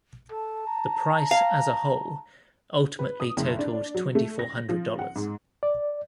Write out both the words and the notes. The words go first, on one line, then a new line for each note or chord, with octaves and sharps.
The price as a whole ultimately totaled twenty-four hundred dollars.
A4 A5
A#5
F5
B4
D#6
F#1
D4
F#3
A3
A#6
F3
F#5
G#2
D5